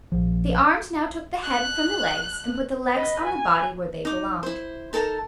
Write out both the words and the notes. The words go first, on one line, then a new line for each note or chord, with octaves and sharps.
The arms now took the head from the legs and put the legs on the body where they belonged.
A#1 F3
F#6
B4 D#5
G#5
D#4 D6
E4 C5
D#4 A4 A#4 A5